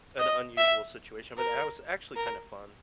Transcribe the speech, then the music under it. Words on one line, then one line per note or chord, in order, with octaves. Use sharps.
an unusual situation, but that was actually kinda fun.
D#5
E5
A#4
A#4